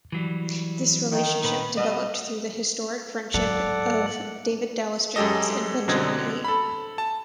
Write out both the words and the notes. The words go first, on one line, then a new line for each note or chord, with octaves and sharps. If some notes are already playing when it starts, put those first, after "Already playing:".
This relationship developed through the historic friendship of David Dallas Jones and Benjamin E.
E3 F#3 G3
D#3
A#2 B4 B5
B2 G3 B3 D#5
G#2 F#3 A4 D5 F#5
F#2 G#3 G4 A4 D#5
F#2 B2 D3 C4 D#5 G#6
A4 B5
A5